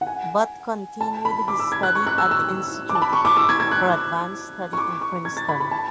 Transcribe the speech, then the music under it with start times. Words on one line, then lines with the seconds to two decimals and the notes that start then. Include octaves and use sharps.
Bott continued his study at the Institute for Advanced Study in Princeton.
0.01 F#5
0.07 G#5
1.01 A5
1.25 B5
1.48 D6
1.59 E6
1.72 G#6
1.83 F#6
1.95 C#6
2.07 F#6
2.18 E6
2.31 E6
2.89 D6
2.95 A5
3.02 B5
3.13 C#6
3.25 D6
3.37 E6
3.49 G#6
3.60 G#6
3.71 F#6
4.73 C#6
4.78 D6
5.01 C#6
5.25 G#6
5.37 A6
5.49 B5
5.60 B5
5.71 A5